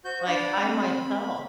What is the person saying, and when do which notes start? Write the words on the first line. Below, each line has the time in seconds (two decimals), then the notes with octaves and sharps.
Like, I myself
0.05 F#4 C5 G6
0.26 D4 D5 F#5 B5
0.61 C4 B5